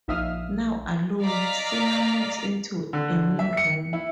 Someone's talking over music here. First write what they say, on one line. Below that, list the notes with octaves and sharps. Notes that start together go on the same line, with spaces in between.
Now alone, Singer moves into a new room.
A#1 D#4 E5 F5 D#6 F6
D5 D#5 F5 A#5 F6 B6
D3
E5
C#7
E4